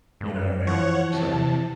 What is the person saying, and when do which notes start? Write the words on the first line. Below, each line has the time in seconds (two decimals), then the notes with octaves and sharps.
You know what I mean? So
0.21 G2
0.67 E3 F3 C#5 F#5
1.13 C3 A5